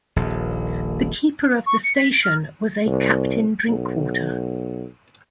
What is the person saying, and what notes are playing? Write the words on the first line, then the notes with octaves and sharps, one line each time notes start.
The keeper of the station was a Captain Drinkwater.
D#1 A#1
C#6
C#7
B6
D7
F6
C2
B1